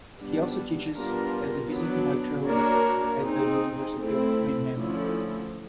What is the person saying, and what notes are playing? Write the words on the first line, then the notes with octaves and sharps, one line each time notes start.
He also teaches as a visiting lecturer at the University of Mannheim.
G3 B3 D4
G3 B3 D4 F4 A#4
F#3 B3 D4
A#3 D4 F#4 A#4 C#5
C4 D#4 G#4
A3 C4 E4
D3 F3 A3 C#4 E4